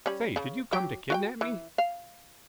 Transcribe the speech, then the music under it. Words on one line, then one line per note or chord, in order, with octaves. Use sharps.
"Say, did you come to kidnap me?"
G3 C#4 B5
C#3
F#3 G4 G5
F#4 F5 G5
E3
F5